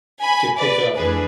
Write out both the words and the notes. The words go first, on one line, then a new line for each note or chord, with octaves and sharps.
to pick up
G#5 B5
B4 D5
F2 E3 A3 D4 G#4 B4